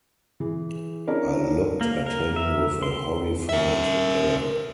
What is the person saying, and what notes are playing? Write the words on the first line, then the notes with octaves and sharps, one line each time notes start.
I looked at him with a horrified air.
E3 G#4
C#4 D4 E4 A4 A#4 D5
A#3
A#4
E5
C6
A#4 E5